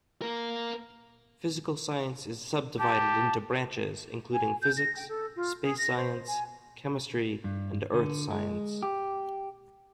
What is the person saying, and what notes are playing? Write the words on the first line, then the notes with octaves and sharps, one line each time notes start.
Physical science is subdivided into branches, including physics, space science, chemistry, and Earth science.
A#3 A#4
G4 A5
G#5
G6
A#6
G5
A4
F4
G#4
A#6
C5
G#5
G2
D3
G#3
G4